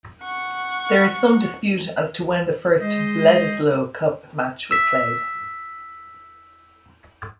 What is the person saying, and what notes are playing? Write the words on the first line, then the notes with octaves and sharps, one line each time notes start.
There is some dispute as to when the first Bledisloe Cup match was played.
F#5 C#6
G#3 C5 D#5
E6 B6